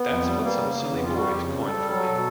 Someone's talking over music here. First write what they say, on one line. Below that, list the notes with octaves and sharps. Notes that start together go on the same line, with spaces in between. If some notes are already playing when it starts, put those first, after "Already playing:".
That's what some silly boys coined for me.
Already playing: B3
F2
G3
A3
G3 A#3
C#3
C#3
F2 B3
G3 F4
F#4
F2 G4
C#3
G3
A4
G3
F#3 A4
B2